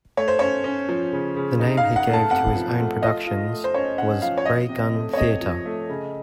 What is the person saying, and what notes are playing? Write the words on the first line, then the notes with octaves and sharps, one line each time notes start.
The name he gave to his own productions was "Ray Gun Theater".
A3 C#5
C5
C#4 C#5
C#4
F3
C#3
C#3
D#4
F5
D#4
F#5
A3
A5
C3 F#5
F3
A3
F4 D#5
F4
A3
C5
C#4 C#5
C#4 F#5
F3 F5
C#5
F3 D#5
C3
A3
C#5
C3 D#5
F3
A3
C#3